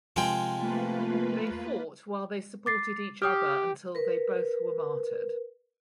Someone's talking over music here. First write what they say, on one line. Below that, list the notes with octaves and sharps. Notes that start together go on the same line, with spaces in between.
They fought while they supported each other until they both were martyred.
C3 F3 G#3 G#4 A#4 G5
A3 A#3 F4 B4
D6 A6 C7
G4 G5 D#6 F6
A#4 B4